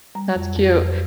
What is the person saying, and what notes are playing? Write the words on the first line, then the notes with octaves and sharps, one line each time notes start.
That's cute.
G3 A#5
F2
F2
F2